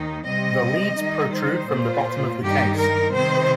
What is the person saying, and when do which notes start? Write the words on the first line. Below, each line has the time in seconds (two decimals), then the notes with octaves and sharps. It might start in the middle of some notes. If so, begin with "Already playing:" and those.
The leads protrude from the bottom of the case.
Already playing: D#2 D#3 D#4
0.26 C3 G3 C4 D#5
0.98 D#3 G3 D#4
1.34 C5
1.70 A#2 A#3 F4
2.42 G2 D#3 G3 D#4 G4
2.78 A#4
3.14 C3 D#3 C4 C5